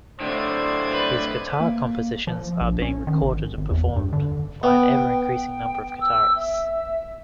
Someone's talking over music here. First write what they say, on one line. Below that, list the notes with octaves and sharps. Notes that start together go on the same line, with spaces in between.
His guitar compositions are being recorded and performed by an ever-increasing number of guitarists.
A2 D3 C5 D5 G#6
B4
A#3
F3
A#1
C#4
D#3
G#1
G#1
E2
G2
D3
B3 G5
G5
E6
E5